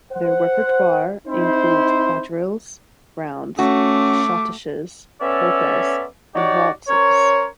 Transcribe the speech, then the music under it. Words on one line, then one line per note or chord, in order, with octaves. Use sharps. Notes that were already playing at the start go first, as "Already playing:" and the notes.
Their repertoire includes quadrilles, rounds, shottisches, polkas, and waltzes.
C5 F#5
C4 D#4 E4 C5
A3 C#4 F#4 D6
B3 C#4 A4 D5 E5
D#4 F#4 G4 C#5 D5
C#4 A#4 C5 C#5